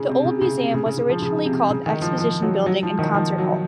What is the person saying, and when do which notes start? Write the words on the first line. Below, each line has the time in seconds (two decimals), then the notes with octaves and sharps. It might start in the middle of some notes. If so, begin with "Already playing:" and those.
The Old Museum was originally called the Exhibition Building and Concert Hall.
Already playing: C#3
0.09 C3
0.25 C#3
0.41 C#3
0.58 C3
0.74 C#3
0.86 C#3
0.98 C#3
1.10 F3
1.22 C#3
1.45 C3
1.70 C#3
1.86 D#3
2.02 F3
2.18 F3
2.42 F#3
2.66 F#3
2.83 F3
2.99 D#3
3.14 F3
3.38 F#3